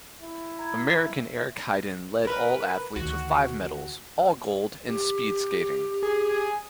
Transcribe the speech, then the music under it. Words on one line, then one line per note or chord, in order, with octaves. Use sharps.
American Eric Heiden led all athletes with five medals, all gold, in speed skating.
E4
A#5 B5 G#6
E5
F4 A#4 B4
D2 D#3 F#4
G4
G#4